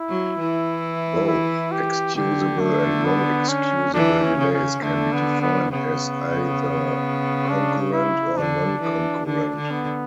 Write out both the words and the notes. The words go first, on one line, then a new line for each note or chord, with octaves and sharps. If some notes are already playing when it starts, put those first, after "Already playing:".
Both excusable and non-excusable delays can be defined as either concurrent or non-concurrent.
Already playing: E4
F#3
E3
E4
G4
D3 G4
A3
B3
C#4
E3 D4
C#4
C#3
C#4
D3 A3
B3
B3
C#3 B3
D4
E4
D3 D4
E3
D3 D4
D3
B3